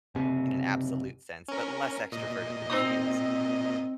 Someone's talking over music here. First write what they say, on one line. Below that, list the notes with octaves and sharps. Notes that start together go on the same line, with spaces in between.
in an absolute sense, but less extroverted than she is.
F#1 C3
C#4 A#4
A#2 D#5
C4 D#4 D#6